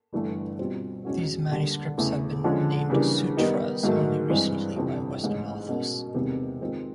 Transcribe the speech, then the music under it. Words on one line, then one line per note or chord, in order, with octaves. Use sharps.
These manuscripts have been named Sutras only recently by western authors.
G1 G2 E3 A3
B2 G3 C4 F4
E2 B2 G#3 C#4 F#4
D3 G3 A#3
E2 C#3 E3 A3
D3 F3 G#3 C#4 F4
C#3 E3 G3 A#3 D4
D#3 G3 B3 D#4
G#2 D#3 F#3 A3
G2 E3 G#3 C4
G1 F2 C3 E3
A1 G#2 E3
B2 G#3 C#4 F#4 A#4
E2 C3 D#3 G#3 B3
D#3 G#3 C4 F4